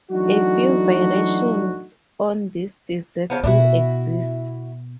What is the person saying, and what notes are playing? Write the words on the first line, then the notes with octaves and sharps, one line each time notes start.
A few variations on this dessert do exist.
E3 F#3 A3 D4 D#4 F#4
C#3 F3 B3
B2 B3 D4 E4 F#4